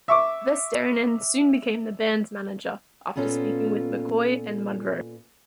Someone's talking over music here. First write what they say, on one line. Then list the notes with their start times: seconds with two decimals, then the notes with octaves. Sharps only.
Vesterinen soon became the band's manager after speaking with McCoy and Monroe.
0.08 E5 C#6 D6
3.16 A#2 B3 C#4 F4 A4